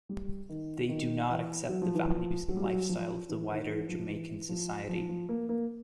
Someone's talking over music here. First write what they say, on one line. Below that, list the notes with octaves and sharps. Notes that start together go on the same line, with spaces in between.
They do not accept the values and lifestyle of the wider Jamaican society.
G3
D#3
D#3
E3
F#3
F3
E3
F3
F#3
G3
F#3
F3
E3
D#3
E3
F3
E3
F3
F3
F3
A#3
A#3